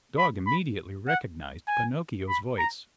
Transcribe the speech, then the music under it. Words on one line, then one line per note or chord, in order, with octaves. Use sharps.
The Dog immediately recognized Pinocchio's voice.
B5
B5
F#5
G#5
B5
A#5